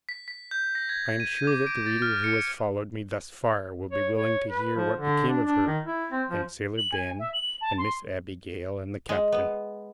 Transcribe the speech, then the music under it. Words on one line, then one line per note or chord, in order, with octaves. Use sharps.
I am sure that the reader who has followed me thus far will be willing to hear what became of her, and Sailor Ben and Miss Abigail and the Captain.
B6
B6
G6
A#6
G#6
D#7
D6
D7
A6
F6
C#7
D7
C#5
C#5
B4
F3
D3
D4
D4
D#3
E4
C4
F3
F#7
G#5
E5
F#7
A5
C6
G#3
B3